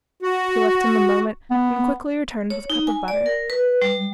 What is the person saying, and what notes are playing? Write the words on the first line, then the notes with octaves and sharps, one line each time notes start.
She left him a moment and quickly returned with a cup of butter.
F#4
B3
C#5
D#4
G#5
D5
A#4
B4
G3